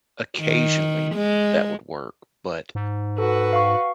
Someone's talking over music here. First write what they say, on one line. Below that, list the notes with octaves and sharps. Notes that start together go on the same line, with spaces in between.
occasionally, that would work, but
D#3
G#3
G#2
F#4 A4 B4
F5 C#6